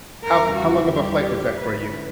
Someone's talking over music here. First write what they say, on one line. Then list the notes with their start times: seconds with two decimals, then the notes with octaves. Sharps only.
How how long of a flight was that for you?
0.23 E2 C#3 E3 G3 A#4
0.57 F#4
0.91 G4
1.57 D3 F#3 C#4 E4 B4